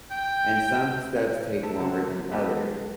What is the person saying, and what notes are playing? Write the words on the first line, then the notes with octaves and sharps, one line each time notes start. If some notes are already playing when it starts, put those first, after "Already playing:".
and some steps take longer than others,
G5
A3 A4
C#3 C4 F#4 A4
F#3
A#3 B3 G4 A4 B4
G#3